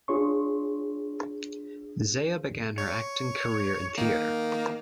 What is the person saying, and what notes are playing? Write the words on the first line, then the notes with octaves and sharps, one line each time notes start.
Zea began her acting career in theatre.
D4 F4 G#4 C#5 C6 C#6
C#5
D#3 A#3